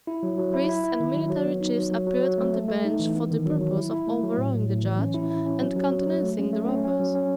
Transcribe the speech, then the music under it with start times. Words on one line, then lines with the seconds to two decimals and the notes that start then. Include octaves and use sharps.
Priests and military chiefs appeared on the bench for the purpose of overawing the judge and countenancing the robbers.
0.07 E4
0.23 F#3
0.38 F#3
0.54 E4
0.69 E4
0.84 E4
1.00 D#3
1.14 F#3
1.30 F#3
1.46 B3
1.61 D#4
1.77 F#3
1.91 F#3
2.07 F#3
2.23 F#3
2.38 A3
2.53 A3
2.68 A3
2.84 D#4
2.99 E3
3.15 B3
3.31 D#3
3.45 F#3
3.61 F#3
3.77 E4
3.92 E4
4.07 A3
4.23 F#3
4.38 A2
4.53 A2
4.69 A2
4.84 E3
4.99 C#4
5.14 E4
5.30 E4
5.46 C#4
5.61 F#3
5.76 F#3
5.92 F#3
6.07 F#3
6.23 A3
6.39 C#4
6.53 A3
6.69 C#4
6.84 C#4
7.00 F#3
7.15 C#4